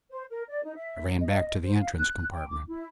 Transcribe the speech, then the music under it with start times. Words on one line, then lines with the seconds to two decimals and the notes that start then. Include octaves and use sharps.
I ran back to the entrance compartment.
0.11 C5
0.29 A#4
0.48 D5
0.63 D#4
0.75 E5
1.20 D#5
1.63 C5
1.79 F5
1.95 F#6
2.31 G5
2.48 D6
2.67 E4